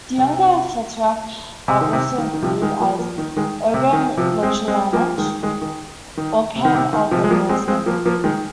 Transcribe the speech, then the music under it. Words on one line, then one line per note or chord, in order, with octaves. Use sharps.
The Younger Futhark are also included, as" ogam lochlannach" "ogham of the Norsemen".
C3
C3
D#3
C3
D#3
D#3
C3 F3
D#3 G#3
F3 A#3
F3 A#3
D#3
D#3 G#3
C3
D#3
C3 F3
G#3 C4
G#3 C4
F3 A#3
D#3 G#3
D#3 G#3
D#3
D#3
C3
D#3
C3
D#3
C3 F3
G#3
F3 A#3
G#3 C4
G#3 C4
F3 A#3
F3 A#3
D#3 G#3